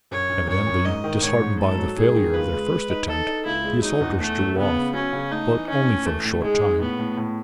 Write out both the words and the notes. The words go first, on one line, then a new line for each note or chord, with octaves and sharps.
Evidently disheartened by the failure of their first attempt the assaulters drew off, but only for a short time.
F#2 C#5
F#2
F#2 C#5
F#2
G#2 D#5
D#3
G#2 C#5
G#2
G#2 A4
F#3
G#2 G#4
D#3
C#2 B4
G#3
G#3
D#4
D#4 A4
D#4
C#2 E4
G#3
F#3 D#4
E2
E2 A3
F#3
C#3 B3
C#3
F#3 C#4
C#3
A3 D#4
E3
C#4 D#4
A2
E3 A3
A2
G#3 D#4
D#4
A2 B3
A2
A2